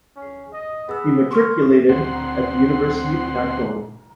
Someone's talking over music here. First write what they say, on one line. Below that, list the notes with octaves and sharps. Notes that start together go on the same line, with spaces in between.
He matriculated at the University of Akron.
C#4
D#5
B3 G#4 E6
C6 C#6 F6
D2 C4 F#5 C6